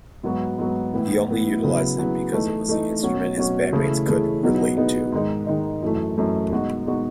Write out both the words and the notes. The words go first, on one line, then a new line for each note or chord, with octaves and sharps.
He only utilized it because it was the instrument his bandmates could "relate to".
G#2 F#3 B3 F#4
G#2 F#3 B3 F#4
A2 E3 B3 E4
A2 E3 B3 E4
C#3 F#3 B3 E4 G#4
C#3 F#3 B3 E4 G#4
E3 A3 D#4
E3 A3 D#4
B2 F#3 C#4 F#4
B2 F#3 C#4 F#4
C#3 E3 A3 E4 G#4
C#3 E3 A3 E4 G#4
B2 F#3 B3 D#4 G#4
B2 F#3 B3 D#4 G#4
G#2 D#3 G#3 D#4
G#2 D#3 G#3 D#4
F#2 E3 A3
F#2 E3 A3
B2 G#3 D#4 F#4
B2 G#3 D#4 F#4